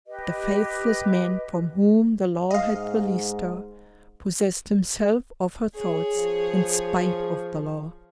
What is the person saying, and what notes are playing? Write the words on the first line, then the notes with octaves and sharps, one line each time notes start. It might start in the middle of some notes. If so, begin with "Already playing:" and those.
The faithless man from whom the law had released her, possessed himself of her thoughts, in spite of the law.
G4 B4 D#5
G#2 D#5 F5
G#4 C#5
F3